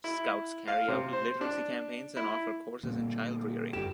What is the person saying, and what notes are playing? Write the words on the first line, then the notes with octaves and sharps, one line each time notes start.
Scouts carry out literacy campaigns and offer courses in childrearing.
E4
F5
C3
C5
D4
E4
A#2 D3 G3 C4
G2 G4 E7